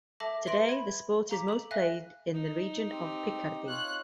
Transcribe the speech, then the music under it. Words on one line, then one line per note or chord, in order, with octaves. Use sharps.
Today, the sport is most played in the region of Picardy.
A4 E5 A5 D6 A#6
B4 E5 C6 A#6 D7 F#7
B5 G#6
F5 A#5 D6 B6
A4 F#7
E5 F5 G#5 F#6 A#6
D#4
C4 G4
F4 C#5 F5 F#6